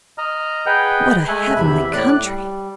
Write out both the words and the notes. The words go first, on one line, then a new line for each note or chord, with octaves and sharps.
What a heavenly country!
D#5 A#5 F6
G#4 B4 D#5 F#5 G5 G6
G#3 A3 E5 G#5 F#6
E2 C3 E5 B5
A2 D5 F#6
G3